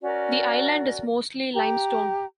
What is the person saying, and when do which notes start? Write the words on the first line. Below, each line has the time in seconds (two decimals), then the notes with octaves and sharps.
The island is mostly limestone.
0.02 C#4 F#4 A#4 D5
1.54 G4 A#5